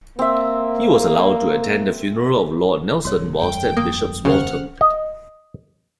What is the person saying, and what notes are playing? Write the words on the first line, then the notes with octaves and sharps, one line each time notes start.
He was allowed to attend the funeral of Lord Nelson whilst at Bishop's Waltham.
A#3 C4 E5
C2 G2 F#4 C#5
G1 F2 G#3 G5
A#3 D#6
D#2 C#3 C#4 G4 C5 F#5 F6
D#5